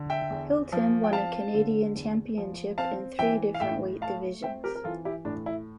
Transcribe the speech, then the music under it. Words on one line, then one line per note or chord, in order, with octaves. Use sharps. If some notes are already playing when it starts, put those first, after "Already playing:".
Hilton won a Canadian championship in three different weight divisions.
Already playing: D3
E5 G5
E2
F3
G5
C4 F5 A5
D3
E2
F3
C4 F5 A5
E3 E5 G5
F5
A2 E5 G5
A3 F5 A5
C4 E5 G5
G4 A#4
A#4
E3 F4 A4
E4 G4
A2 D4
E4